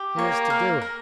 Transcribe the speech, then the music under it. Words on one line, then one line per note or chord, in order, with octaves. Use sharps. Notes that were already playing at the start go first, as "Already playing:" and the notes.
He was to do it.
Already playing: G4
A#3 C#5
A#4
A#4